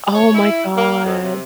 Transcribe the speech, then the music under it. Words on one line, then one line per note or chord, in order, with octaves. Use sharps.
Oh my god.
C#5
E4
A#3
F2
C3